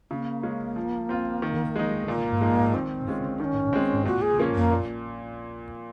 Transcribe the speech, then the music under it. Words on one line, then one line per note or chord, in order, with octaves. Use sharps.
It is further broken down by the percent of households with handguns.
C#3 A#3
G#3 C#4
F3
C4 F4
D#3
G#3 D#4
A#2 A#3
F3 G#3 D#4
D#3 C4
G#3 C#4 F4
D#3 D#4
C#4
G#3 C4
A#2 F#4
G#4
F3 A#3 C#4
A#3
A#2